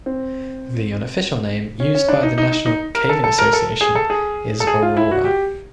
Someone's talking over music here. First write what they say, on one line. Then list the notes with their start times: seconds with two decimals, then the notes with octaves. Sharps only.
The unofficial name used by the national caving association is "Aurora".
0.06 C4
1.80 C#4
1.95 C#4
2.09 D4
2.23 D#4
2.38 D#4
2.52 D#4
2.66 D#4
2.95 A#4
3.09 A4
3.24 A4
3.39 A#4
3.53 A4
3.81 G#4
3.95 A4
4.10 G#4
4.60 A4
4.67 G#4
4.82 F4
4.97 E4
5.11 F#4
5.25 G4